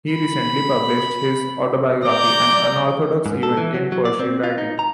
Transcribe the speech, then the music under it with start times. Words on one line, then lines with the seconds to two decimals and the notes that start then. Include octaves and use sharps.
He recently published his autobiography, an unorthodox event in Persian writing.
0.13 B5
2.05 D5 A#5 D6 G6
3.26 G#2
3.43 A4
3.57 E3
3.74 F#3
3.92 F#3
4.05 D5
4.19 C4
4.44 F4
4.58 D#4
4.79 A#5